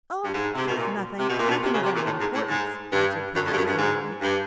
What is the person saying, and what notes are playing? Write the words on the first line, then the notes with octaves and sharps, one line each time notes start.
"Oh, 'twas nothing--nothing of any importance," answered Prowler airily.
G2
G#2
C3
B2
A#2
C3
B2
A#2
B2
C3
C#3
C3
A#2
A2
G#2
A2
G#2
G2
F#2
F2
G2
F#2
G2
G#2
G2